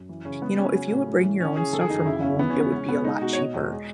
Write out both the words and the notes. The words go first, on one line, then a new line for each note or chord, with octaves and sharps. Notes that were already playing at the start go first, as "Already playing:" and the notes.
you know, if you would bring your own stuff from home, it would be a lot cheaper.
Already playing: F#2
E3
C#3 C#4
G#3 B3
C#3 C#4
F#3 C#4
A2
G#3
E3
E3 C#4
C#3 G#4
D#3 A4
G#4
F#2 D#4
C#4
C#3 E4
E2 C#4
E3 B3
C#4
C#3 B3
G#3 C#4
B2 B3
G#3 D#4
B2 F#4
C#5
B2 D#5
E2
G#3